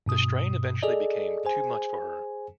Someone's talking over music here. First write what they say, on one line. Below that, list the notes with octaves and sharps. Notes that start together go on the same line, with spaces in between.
The strain eventually became too much for her.
G2 B2 D#6
G#4 A4 D5 D#5
G#4 C5 G#5